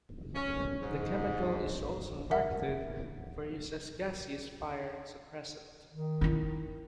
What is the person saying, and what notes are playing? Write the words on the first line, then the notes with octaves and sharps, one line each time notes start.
The chemical is also marketed for use as a gaseous fire suppressant.
C#4
G#2
A#4 E5 F#5
D#3
D#4 E4